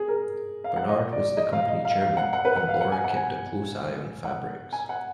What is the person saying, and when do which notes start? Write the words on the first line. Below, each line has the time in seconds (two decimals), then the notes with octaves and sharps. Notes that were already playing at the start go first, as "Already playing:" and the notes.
Bernard was the company chairman and Laura kept a close eye on fabrics.
Already playing: G#4
0.08 A#4
0.64 F5
0.77 F#5
0.89 D#5
1.13 D5
1.37 D#5
1.53 F5
1.69 D#5
1.85 F5
2.01 F5
2.17 F#5
2.33 F#5
2.45 B4
2.56 F#5
2.68 F5
2.81 F#5
2.92 G#5
3.04 F#5
3.17 G#5
4.25 F#5
4.73 G#5
4.89 F#5